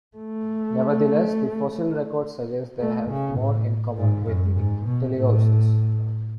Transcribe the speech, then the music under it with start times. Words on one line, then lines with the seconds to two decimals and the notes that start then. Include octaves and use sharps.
Nevertheless, the fossil record suggests they have more in common with the teleosts.
0.17 A3
2.80 A3
3.09 C#3
3.39 A2
3.97 G#2
4.26 F#2
4.56 G#2
4.86 B2
5.15 A2